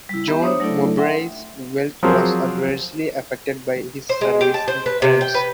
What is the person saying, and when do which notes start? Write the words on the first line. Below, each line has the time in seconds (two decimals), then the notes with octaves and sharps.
John Mowbray's wealth was adversely affected by his service in France.
0.09 G3 E4
0.28 B3 G4 E5 A#5
0.41 D4 C5 C#5 D#6
0.60 F#3 A3 D4 E4 A4 D5
0.98 E5 F#5 G5 C6
2.03 F3 F#3 C4 G#4 A#4 C5
4.09 C5
4.21 G#3
4.41 G4
4.54 A5
4.68 C5
4.86 B4
5.02 C3
5.21 G5
5.34 B4